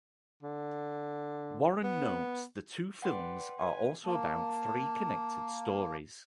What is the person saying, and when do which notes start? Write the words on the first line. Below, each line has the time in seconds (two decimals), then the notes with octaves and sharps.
Warren notes The two films are also about three connected stories.
0.43 D3
1.83 B3
3.02 B4 D5 F#5 G5 C6
3.58 B4 G#5
4.05 A#3 A5